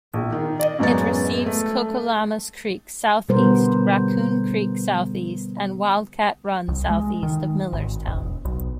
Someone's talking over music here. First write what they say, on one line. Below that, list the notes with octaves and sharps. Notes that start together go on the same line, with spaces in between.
It receives Cocolamus Creek southeast, Raccoon Creek southeast, and Wildcat Run southeast of Millerstown.
A#1
D#3
D5 D#5
A1 F#2 G#3 B3 A6
A3
B2 D3 G3 B3 A#4 C5
C2
G#3
D#3
G#1
E1
B1